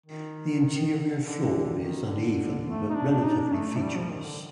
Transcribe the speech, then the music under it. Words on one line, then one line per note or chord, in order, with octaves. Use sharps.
The interior floor is uneven but relatively featureless.
D#3
D3
D#3
D3
A3
D#4
D4
D4
D#4
D4
A3
F3
G3
F3
D#3
D3